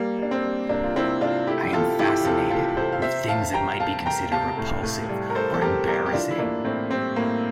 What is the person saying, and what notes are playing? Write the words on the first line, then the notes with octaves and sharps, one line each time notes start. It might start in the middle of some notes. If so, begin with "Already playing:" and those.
I'm fascinated with things that might be considered repulsive or embarrassing.
Already playing: G3 A#3
G3 D4
C4
G3
C3 A#3 D4
F4
C3 C4 E4
C3 D4 F4
A3 E4 G4
C3 F4 A4
E3 E4 G4
C3 F4 A4
A3 F4 A4
C3 A4 C5
F5
C3 C5 E5
C3 F5 A5
G3 G5 A#5
C3 F5 A5
C3 G5 A#5
C3 F5 A5
A2
A2
G3
A#4
A2 A4 C5
A4
G3 G4 A#4
G3 G4 A#4
G4
E3 D4 F4
E4
A2 A#3 D4
A2 C4
G3 C4
A2 A#3